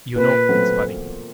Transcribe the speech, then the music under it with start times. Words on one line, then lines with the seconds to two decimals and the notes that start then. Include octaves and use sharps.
You know, it's funny.
0.16 A#2 B4
0.49 F#3 A3 C4